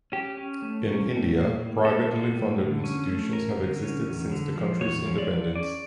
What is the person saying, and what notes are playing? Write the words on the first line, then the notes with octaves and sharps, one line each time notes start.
In India, privately funded institutions have existed since the country's independence.
C#4 G4
C#4
A3
C#4
A2
A#3
A2
A#3 A4
A#3
A2
D3
C#4
A3
C#4 A#4
D3
C#4
E2
D3
F3
E2 C#5
F3
D5
F3
C#4 D5